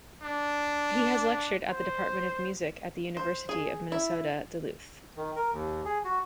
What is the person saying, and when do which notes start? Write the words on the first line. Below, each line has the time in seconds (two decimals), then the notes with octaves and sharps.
He has lectured at the Department of Music at the University of Minnesota Duluth.
0.22 D4
1.68 C5
3.17 C5
3.49 G#4
3.92 E4
5.17 D#3
5.36 A#4
5.53 D#2
5.85 G#4
6.05 F#4